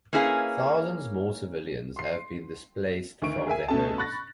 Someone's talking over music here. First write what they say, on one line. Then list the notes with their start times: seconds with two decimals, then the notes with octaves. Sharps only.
Thousands more civilians have been displaced from their homes.
0.13 A#3 C#4 E4 G#4 B4 F5
1.96 C6 C7
3.22 D2 D#3 C#6 D7
3.47 G#4 A#4 E5 G#5
3.68 B2 A3 C#4 A4 A5
3.98 B5 C#6 F#6 A6 A#6